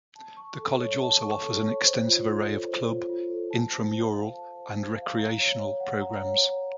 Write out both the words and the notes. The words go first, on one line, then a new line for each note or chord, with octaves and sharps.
The college also offers an extensive array of club, intramural, and recreational programs.
A5
C#6
A4
C#5
A5
C#6
A4
C#5
C5
F4
F4
A4
C5
F4
F4
A4
A5
C5
C5
F5
A5
C5
C5
F5
A#5
C#5
C#5
F#5
A#5
C#5
C#5